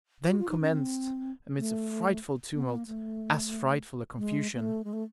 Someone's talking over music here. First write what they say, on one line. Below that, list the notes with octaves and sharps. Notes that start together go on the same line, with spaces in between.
Then commenced, amidst a frightful tumult, as frightful a confusion.
F#4
F4
D#4
C#4
C4
A3
B3
B3
A#3
A3
G#3
A#3
A3
G#3
A3